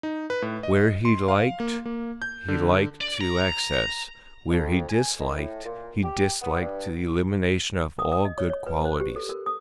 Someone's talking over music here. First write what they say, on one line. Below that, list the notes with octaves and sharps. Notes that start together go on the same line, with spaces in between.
Where he liked, he liked to excess; where he disliked, he disliked to the elimination of all good qualities.
D#4
B4
A2
D#5
C6
F5
A#3
A#3
G6
D3
D5
A#5
F2
G#5
D#3
A2
A#2
G4
B3
G2
D#6
D#6
D#5
C#5
C#5
B4
C5
G4
A4
A#4
D#6